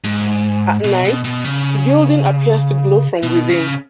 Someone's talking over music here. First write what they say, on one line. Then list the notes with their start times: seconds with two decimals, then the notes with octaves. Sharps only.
At night, the building appears to glow from within.
0.04 G#2
0.84 B2
1.05 B2
1.24 B2
1.44 C#3
3.23 B2
3.50 C#3